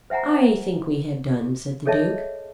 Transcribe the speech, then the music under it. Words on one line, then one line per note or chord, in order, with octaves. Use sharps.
"I think we had done," said the Duke.
C5 E5 F#5 G#5 A#5
G#4 A4 C#5 D#5 E5 A5